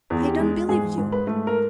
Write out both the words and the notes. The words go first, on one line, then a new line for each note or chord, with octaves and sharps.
I don't believe you!
E2
G4
G#3
G#2 G#4
G#2
B4
A3
A#4